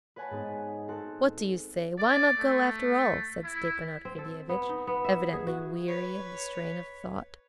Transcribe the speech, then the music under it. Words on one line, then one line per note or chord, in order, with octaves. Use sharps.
"What do you say, why not go after all?" said Stepan Arkadyevitch, evidently weary of the strain of thought.
B4 C#5 F#5 G#5 A5 B5
G#2 B3 D#4
C4 A4 F#6
D5
A3
E4
C4
A4
B3
D#4
B3
E5
G#4
F#4
B4 C#5